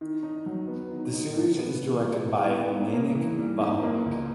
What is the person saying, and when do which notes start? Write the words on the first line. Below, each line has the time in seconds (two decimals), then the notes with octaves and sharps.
The series is directed by Mainak Bhaumik.
0.01 D#3
0.23 D#4
0.46 F#3
0.68 B3
0.91 D#3
1.13 D#4
1.36 A2
1.58 B3
1.81 E3
2.03 G#3
2.26 A2
2.49 B3
2.70 G#2
2.93 A#3
3.15 E3
3.39 G3
3.61 G#2
3.83 A#3
4.06 C#2